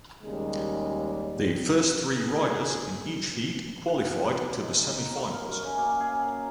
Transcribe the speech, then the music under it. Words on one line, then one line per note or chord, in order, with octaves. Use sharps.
The first three riders in each heat qualified to the semifinals.
D#2 C#3 G3 G#3
G#4
F#5
F3
D#4
A#5
C#6
A#4
F#2
C#3
A#3
G#4
A#5